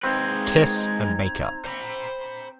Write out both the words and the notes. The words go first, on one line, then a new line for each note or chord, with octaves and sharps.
Kiss and make up.
G#3 C4 D#4 B4 A#5 G#6
C5 A#5 B5